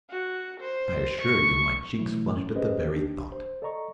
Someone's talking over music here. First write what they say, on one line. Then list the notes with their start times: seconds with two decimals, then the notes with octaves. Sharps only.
I assure you my cheeks flushed at the very thought.
0.10 F#4
0.61 C5
1.22 C#6
1.99 B2 E3 F#3 A3 E4
2.33 F2 C#4
2.55 C#4 G4 G#4 B4 C5 D#5
2.94 D4 G4
3.32 C5
3.62 A4 D5 D#5 A#5 C#6